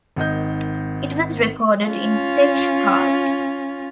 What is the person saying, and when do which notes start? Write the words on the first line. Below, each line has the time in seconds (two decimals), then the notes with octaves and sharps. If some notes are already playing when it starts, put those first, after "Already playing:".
It was recorded in Zeche Carl.
0.16 G#1 D#3 D#5 G6
1.85 C#4 F4